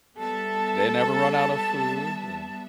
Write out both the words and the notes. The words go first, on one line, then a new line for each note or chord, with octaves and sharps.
they never run out of food and
G3 B3 A4 E5 A5